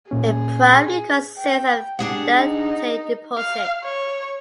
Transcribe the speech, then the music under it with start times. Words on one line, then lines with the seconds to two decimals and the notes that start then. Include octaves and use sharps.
It primarily consists of deltaic deposits.
0.11 A#2 C#4 G#4
1.38 G5
1.99 D4 G4 G#4 F#5
2.34 D#4
3.38 F5
3.84 C#5